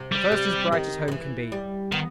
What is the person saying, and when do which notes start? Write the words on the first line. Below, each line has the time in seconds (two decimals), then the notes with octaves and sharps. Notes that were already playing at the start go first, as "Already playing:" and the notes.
The first is bright as home can be.
Already playing: C3
0.12 G3
0.32 C3
0.72 D#3
1.08 D#3
1.12 E3
1.52 G3
1.92 D#3 B3